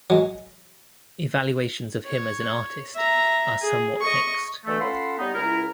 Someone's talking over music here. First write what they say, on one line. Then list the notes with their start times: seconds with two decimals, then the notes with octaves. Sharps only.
Evaluations of him as an artist are somewhat mixed.
0.10 F#3 G#3
2.06 C#5
2.95 E5 A#5
3.61 G#4
4.01 D#5 C#6
4.65 B2 D3 E3 A3
4.81 C#4 F4 A4 F#5 B5 C6
5.19 G3 B3 D#4
5.34 C#2 E4 A#4